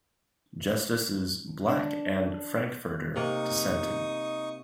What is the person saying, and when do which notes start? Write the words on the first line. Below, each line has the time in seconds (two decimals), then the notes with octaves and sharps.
Justices Black and Frankfurter dissented.
1.68 D4
3.16 C3 A#3 D#4 C#6 D#6